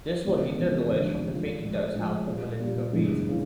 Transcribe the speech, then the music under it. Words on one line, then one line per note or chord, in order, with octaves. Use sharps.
This will hinder lawyers from defending those held for political reasons.
E2 B2 G#3 C#4 F4
E2 B2 G#3 C#4 F4
D#2 D3 F3 G#3
D#2 D3 F3 G#3
A2 F3 G#3
A2 F3 G#3
A#2 G3 A#3
A#2 G3 A#3
G1 F#2 C#3 E3 G#3
C#3 E3